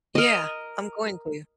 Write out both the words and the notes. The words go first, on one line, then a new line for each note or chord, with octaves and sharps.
Yeah, I'm going to.
A#4 D#5